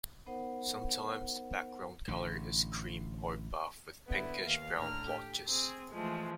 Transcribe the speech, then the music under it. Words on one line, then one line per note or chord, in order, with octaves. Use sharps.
Sometimes the background colour is cream or buff with pinkish-brown blotches.
B3 D#4 A#4 C5 F#5
A1 D3
D3 B3 E4
D#2 F5
A2 D3 A#5 F6
G4
C4 G#4
E3 F3 G#3 A3